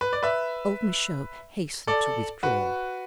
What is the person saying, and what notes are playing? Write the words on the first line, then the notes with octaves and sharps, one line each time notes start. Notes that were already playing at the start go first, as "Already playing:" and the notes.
Old Michaud hastened to withdraw.
B4
D5
B4 E5
A4 D5
F#4 B4